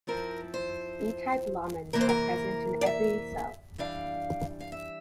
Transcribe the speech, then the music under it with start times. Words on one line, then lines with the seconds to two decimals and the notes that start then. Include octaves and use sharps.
B-type lamins are present in every cell.
0.07 F3 C4 E4 A#4
0.54 C5
1.93 C3 E3 A#3 A#4
2.01 C5
2.09 A#4
2.81 D5
2.86 E5
3.78 E3 G3 D4 F5
4.60 F5
4.72 E5